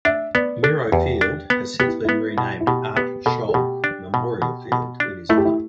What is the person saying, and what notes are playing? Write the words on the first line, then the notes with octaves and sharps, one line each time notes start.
Miro Field has since been renamed Art Scholl Memorial Field in his honor.
D4 E5
B3 D5
D4 A4
E2 G4
D4
B3
B3 G4
E4
B3 E4
B2
E4
B2 G4
B3 G4
B2 A4
A4
B2 G4
D4
B2
B2
B2
D4
A3 E4
G4
E4